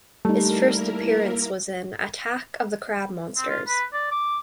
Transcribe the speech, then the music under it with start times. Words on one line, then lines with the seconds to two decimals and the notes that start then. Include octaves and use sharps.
His first appearance was in "Attack of the Crab Monsters".
0.25 G3 A3 A#3 D#4 E4 A#4
3.37 C4
3.49 F4
3.67 B4
3.93 D5
4.12 D6